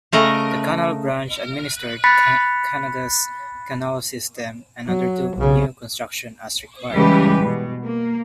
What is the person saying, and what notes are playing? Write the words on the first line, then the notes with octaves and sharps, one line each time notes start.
The Canal Branch administered Canada's canal system and undertook new construction as required.
C#3 A3 A#4 D#5
B5 F#6 A6 B6 C#7
F#3
B1 C#3
C#3 E3 G3 G#3 G4 B4
B2
A#3